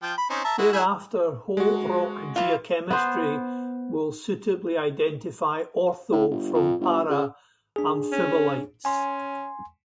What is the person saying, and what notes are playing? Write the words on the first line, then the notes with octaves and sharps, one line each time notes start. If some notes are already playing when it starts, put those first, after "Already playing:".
Thereafter, whole rock geochemistry will suitably identify ortho- from para-amphibolites.
F3 G5
B5
C4 C#4 D#4
E5 A5 A#5
G#3 E4 F#4
E4 G#4 E5
G#3 F#4
E3 F4
B3 C5
A2
G1
F2
G1
C#3
D4 G#4
C#4
C#4 G#5 C6